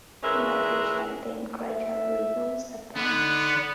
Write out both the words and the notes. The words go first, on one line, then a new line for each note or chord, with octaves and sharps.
The magician then gradually reveals the bend.
E3 G#3 C#4 A#4 B4 E5
E5
D3 B3 D#4